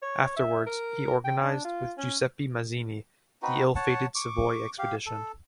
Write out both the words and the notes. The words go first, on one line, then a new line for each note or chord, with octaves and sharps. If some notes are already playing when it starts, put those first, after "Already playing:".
Afterwards he organized, with Giuseppe Mazzini, the ill-fated Savoy expedition.
C#5
E5
A#4
G5
D4
F4
C#4
C4 D#4 F#4 B4
C#5 F#5 A5
C#6 D6
G4 F5
A4